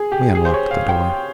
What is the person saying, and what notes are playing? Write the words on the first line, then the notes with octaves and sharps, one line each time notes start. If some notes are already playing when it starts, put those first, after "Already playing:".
We unlocked the door.
Already playing: G#4
G4
G#4
C5
C#5
F5
G5